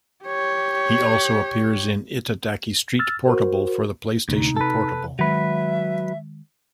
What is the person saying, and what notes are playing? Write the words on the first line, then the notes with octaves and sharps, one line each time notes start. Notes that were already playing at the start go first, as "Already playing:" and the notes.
He also appears in "Itadaki Street Portable" for the PlayStation Portable.
G4 C#5
E6 F6 A6
F#4 A#4 C5
D2 C3 D#4
A4 B4
D#3 F#3 G#3 B4 E5